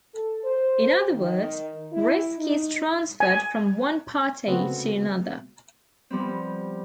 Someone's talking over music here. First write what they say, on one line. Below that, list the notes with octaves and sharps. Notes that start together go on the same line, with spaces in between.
In other words, risk is transferred from one party to another.
A4
C5
D#3
E4
D#4
G#5
C#3 A3 B3 C4 F#4
F3 G3 B3 C4